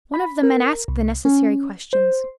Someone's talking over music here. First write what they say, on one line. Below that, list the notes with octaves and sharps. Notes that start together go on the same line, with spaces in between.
One of the men asked the necessary questions.
B5
A#4
C2
C#4
C5